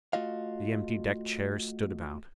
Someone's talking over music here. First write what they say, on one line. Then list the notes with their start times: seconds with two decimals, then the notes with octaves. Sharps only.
The empty deck chairs stood about.
0.13 A3 F4 F#4 D#5 F5